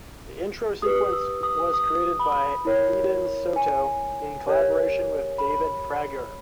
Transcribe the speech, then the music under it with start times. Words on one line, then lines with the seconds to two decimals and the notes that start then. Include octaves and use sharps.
The intro sequence was created by Eden Soto in collaboration with David Prager.
0.82 G4 B4 D#6
1.13 E6
1.43 D#6
1.74 D#6
2.20 B5
2.65 E4 A#4 C#5
3.56 G#5
4.47 G4 A#4 C#5
5.38 B5